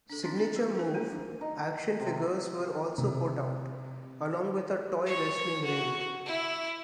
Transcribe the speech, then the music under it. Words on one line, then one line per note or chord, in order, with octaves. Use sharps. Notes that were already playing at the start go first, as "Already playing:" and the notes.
"Signature Move" action figures were also put out, along with a toy wrestling ring.
D4 A4
C4 D4 D#4 F4
C4 D4 G#4 A4
F#3
D4 E4 A#4 C5
G#3 A#3 D4
D#4
C3
C3
C#5
F#4
E4